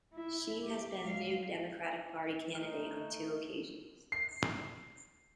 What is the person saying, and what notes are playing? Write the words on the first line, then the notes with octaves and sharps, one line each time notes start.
She has been a New Democratic Party candidate on two occasions.
E4
G4
G#3 F5
A3 D#4 D#5 F6
C7